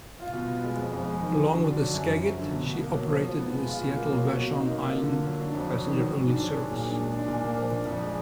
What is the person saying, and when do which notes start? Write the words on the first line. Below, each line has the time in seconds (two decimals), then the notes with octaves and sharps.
Along with the "Skagit", she operated the Seattle-Vashon Island passenger-only service.
0.20 F4
0.34 B2
0.48 B3
0.63 G#3
0.77 F2
0.92 F2
1.07 G#3
1.21 D#3
1.35 F#4
1.50 D3
1.65 D4
1.79 F#3
1.93 F#2
2.07 F#2
2.22 F3
2.37 D3
2.51 B2
2.65 B2
2.80 A#3
2.94 F#3
3.08 F3
3.24 F3
3.37 B3
3.53 G#3
3.66 F4
3.81 B2
3.96 A#3
4.10 F#3
4.25 F#4
4.39 B2
4.53 D#4
4.69 A#3
4.82 F4
4.97 D3
5.12 A#3
5.26 F#3
5.40 D4
5.54 F2
5.70 F#3
5.84 D#3
5.99 F#4
6.13 G#2
6.28 D4
6.42 F#3
6.56 G#4
6.71 A#2
6.86 D4
6.99 G#3
7.14 D4
7.28 A#2
7.43 A#3
7.57 F3
7.71 D4
7.86 F2
8.01 G#3